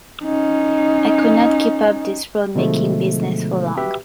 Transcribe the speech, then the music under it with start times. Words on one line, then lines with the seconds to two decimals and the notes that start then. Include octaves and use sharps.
I could not keep up this roadmaking business for long.
0.24 C#4 D#4
2.55 B2 D3 F3 G#3 A3
3.77 F#4 G4 B4 E5